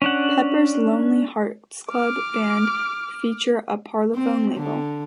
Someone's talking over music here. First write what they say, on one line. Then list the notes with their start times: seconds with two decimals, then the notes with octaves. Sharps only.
Pepper's Lonely Hearts Club Band feature a Parlophone label.
0.02 C#4 D4 F#5
1.90 D6 F6
4.14 C4
4.56 D3